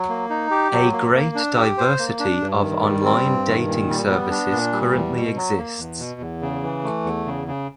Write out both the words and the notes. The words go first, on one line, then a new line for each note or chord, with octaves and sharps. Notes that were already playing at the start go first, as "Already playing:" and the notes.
A great diversity of online dating services currently exists.
Already playing: F#3
A#3
D#4
G4
F#3
A#3
A#3
D4
G4
C5
A#3
D4
G2
D#3
G3
C4
G2
D#3
A#2
G3
B3
D4
A#2
G3
E2
B2
F#3
A#3
E2
B2
E2
C#3
E3
A3
E2
C#3
C#3